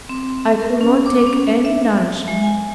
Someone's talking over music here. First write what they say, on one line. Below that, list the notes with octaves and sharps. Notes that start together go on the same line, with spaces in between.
I could not take any nourishment.
C4
A#4
C#4
D6
C#4
E5
G#3
G#5